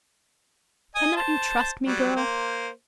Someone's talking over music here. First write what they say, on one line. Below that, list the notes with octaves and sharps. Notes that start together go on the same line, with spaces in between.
Cannot you trust me, girl?
D#5 G#5 D#6
C5 A5
F#3 G3
A#3 C5